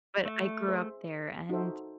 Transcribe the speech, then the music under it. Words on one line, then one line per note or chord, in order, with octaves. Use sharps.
but I grew up there, and
A3
G#4 C5 E5
D#4 F#4 A4 C5 E5